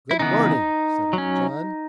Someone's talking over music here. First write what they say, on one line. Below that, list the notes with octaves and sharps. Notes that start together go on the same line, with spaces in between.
"Good morning," said Uncle John.
E4
C#3 E3 B3 D#4
F#3
C#4